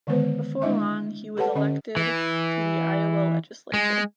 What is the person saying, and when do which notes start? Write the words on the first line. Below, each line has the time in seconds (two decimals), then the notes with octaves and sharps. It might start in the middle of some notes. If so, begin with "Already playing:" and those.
Before long, he was elected to the Iowa Legislature.
0.07 D3 D#3 G#3 B3 B4 C5
0.62 G#3 D4 E4 D#5 E5
1.37 G4 A4 B4 C#5 F#5 A5
1.55 D3 C#4 D#5
1.97 E3
3.74 G#3